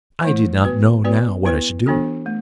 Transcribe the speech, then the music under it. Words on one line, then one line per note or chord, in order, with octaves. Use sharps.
I did not know now what I should do.
E3 A3 E4
B3 F#4 B4
B3 F#4 B4 D5
B3 E4 B4
E3 B3 D4 F#4 A4
A3